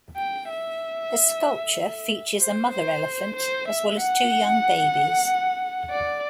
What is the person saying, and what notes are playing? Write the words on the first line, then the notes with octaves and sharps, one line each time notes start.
The sculpture features a mother elephant as well as two young babies.
G5
E5
C5
C5
C5
E5
F#5
D5